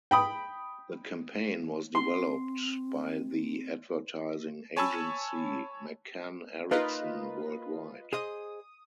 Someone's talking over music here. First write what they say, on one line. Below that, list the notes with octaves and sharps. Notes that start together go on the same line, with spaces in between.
The campaign was developed by the advertising agency McCann-Erickson Worldwide.
G5 B5 D#6
C4 C6
C#5 G#5 A5 B5 C#6 E6
A#3 D#4 F4 A#4 B4 D#5
G#4 C5 D#5 D#6